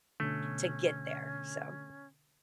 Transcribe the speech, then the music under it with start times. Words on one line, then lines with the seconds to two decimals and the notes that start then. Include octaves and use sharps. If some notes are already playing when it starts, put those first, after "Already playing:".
to get there, so
0.20 B2 D3 A3 C#4